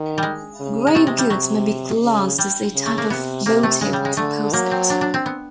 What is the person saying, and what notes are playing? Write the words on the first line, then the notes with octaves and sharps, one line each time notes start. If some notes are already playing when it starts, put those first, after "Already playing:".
Grave goods may be classed as a type of votive deposit.
Already playing: D#3
G3 G#3
C#3
G#3
C3 A3
G#3
G3
C3 F#3
C#3
G3
C#3
A3
A#3
C3 B3
C3 A#3
A3
C#3 G#3
G3
G#3
D3 A3
F#3 A#3
C4
D4
D4
C4
B3